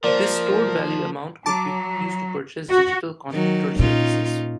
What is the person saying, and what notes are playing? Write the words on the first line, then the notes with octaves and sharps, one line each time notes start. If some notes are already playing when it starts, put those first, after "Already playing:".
This stored-value amount could be used to purchase digital content or services.
F3 A#3 A#4 C5 D5
F#3 A5 A#5 D6
F#4
D#3 F#3
A#2 C#4 D#4 F4